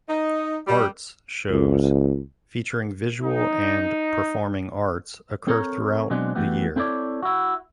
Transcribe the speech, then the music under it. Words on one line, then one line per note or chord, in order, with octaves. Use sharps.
Arts shows featuring visual and performing arts occur throughout the year.
D#4
G3
C#2
D#4
C4 A4 A#4 C#5 A#5
B2 F#3 G#3 C4 D4
E3 A3 B3 F#4 G4
C4 E4 A4 C#5 D5
E4 F#4